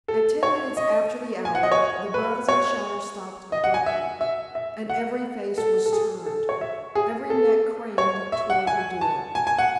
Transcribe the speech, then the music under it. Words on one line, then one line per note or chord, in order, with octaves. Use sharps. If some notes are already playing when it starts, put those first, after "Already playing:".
At ten minutes after the hour the buzz and chatter stopped abruptly and every face was turned, every neck craned toward the door.
A4
C#5
D#5
G#5
F#5
D#5
C#5
B4
C#5
D#5
F#5
G#5
E5
E5
E5
F#5
A4
A4
G#4
A4
C#5
E5
G#4
A4
C#5
E5
F#5
G#5
A5
G#5
G#5
F#5